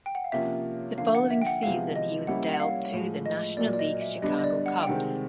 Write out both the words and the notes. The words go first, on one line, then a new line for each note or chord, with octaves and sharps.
The following season he was dealt to the National League's Chicago Cubs.
G5
F#5
F5
C3 F3 A#3 C#4 F4 E5
D3 F3 A#3 F5
F#5
E5
G5
F#5
C3 F3 G#3 B3 E4 F5
D#5
G3 A#3 C#4 E4 F#5
F#5
F5
A2 F3 G#3
D#5
A#2 F#3 A#3 D5
D5
D#5
E5
D3 G3 B3 D4 D#5
D#5
D5
F#5
G5
C3 D#3 G#3 C4 F#5